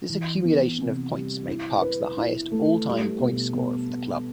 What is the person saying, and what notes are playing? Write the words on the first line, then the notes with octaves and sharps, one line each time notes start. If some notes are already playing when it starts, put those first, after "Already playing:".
This accumulation of points made Parks the highest all-time points scorer for the club.
E3
B3
C3
G3
E4
B4
E4
A3
G3
B2
B2
B3